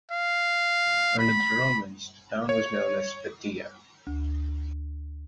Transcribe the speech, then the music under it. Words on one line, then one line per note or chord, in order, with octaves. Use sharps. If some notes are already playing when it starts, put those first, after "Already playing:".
Under the Romans, the town was known as Beatia.
F5
B5
C#5
D2